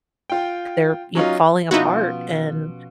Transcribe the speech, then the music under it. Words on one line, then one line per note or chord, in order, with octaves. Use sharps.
they're y falling apart, and
F4 G5
F#3 C#4 D#4 F4
B2 F3 C#4 D#4 E4 F#4